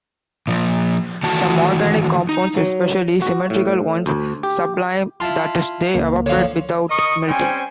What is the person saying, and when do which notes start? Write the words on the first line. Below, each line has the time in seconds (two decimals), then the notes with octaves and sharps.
Some organic compounds, especially symmetrical ones, sublime, that is they evaporate without melting.
0.47 A#2 F3
1.23 D#3 E3 A3 F#4 A5
2.29 D#4
2.57 F#3
3.22 F#4
3.50 A2
4.06 D2
4.43 G4
5.20 E4 F4 F5 A5 C6
5.94 C#2 A#3
6.26 D3 F3 C#5 F5
6.89 A#4 D#5 C#6 D#6
7.28 G3 C4 C#4 C5 G5 G#5